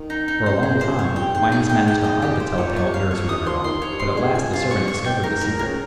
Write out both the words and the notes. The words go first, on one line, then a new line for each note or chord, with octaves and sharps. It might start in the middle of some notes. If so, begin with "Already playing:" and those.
For a long time Midas managed to hide the tell-tale ears from everyone; but at last a servant discovered the secret.
Already playing: D#3
D#4
D#4
C#3 C5
C#3 G#4
A#2
C5
G2
F2 C#5
G2 G5
G#2 G5
G#4
G5
G5
D#5
G4
C5
A#2 C#5
C#5
C3
F5
F2 C#5
G2 D#6
F3 C6
D#3 C6
C#5
G2
C6
G2
G2 G#4
F2 G#5
G2 F4
C#6
C#6
G5
G#2 A#4
G#2 A#4
A#2
C#3 A#4